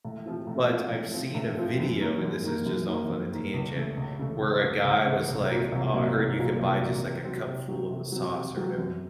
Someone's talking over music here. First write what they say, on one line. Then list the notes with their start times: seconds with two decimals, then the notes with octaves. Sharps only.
but I've seen a video, and this is just off on a tangent where a guy was like, "Oh, I heard you can buy, just, like, a cup full of the sauce or whatever."
0.05 A2
0.26 F3 C4 F4
0.47 A2
0.70 F3 C4 F4
0.92 A2
1.13 F3 C4 F4
1.35 A2
1.57 F3 C4 F4
1.78 F#2
2.00 D#3 A#3
2.22 F#2
2.44 D#3 A#3
2.66 F#2
2.89 D#3 A#3
3.10 F#2
3.32 D#3 A#3
3.54 C#2
3.75 C#3 A3
3.97 C#2
4.19 C#3 A3
4.41 C#2
4.63 C#3 A3
4.84 C#2
5.06 C#3 A3
5.28 C2
5.50 A#2 F#3 A#3 F4
5.72 C2
5.93 A#2 F#3 A#3 F4
6.16 C2
6.38 A#2 F#3 A#3 F4
6.59 C2
6.81 A#2 F#3 A#3 F4
7.03 C3
7.25 F#3 C4
7.47 C3
7.68 F#3 C4
7.91 C3
8.12 F#3 C4
8.34 C3
8.56 F#3 C4
8.78 F#2